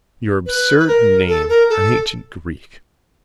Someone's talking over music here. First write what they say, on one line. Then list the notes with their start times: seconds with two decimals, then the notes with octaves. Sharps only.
Your absurd name, an ancient Greek!
0.46 B4
0.78 B4
0.87 A#4
1.28 A4
1.49 A#4
1.69 A4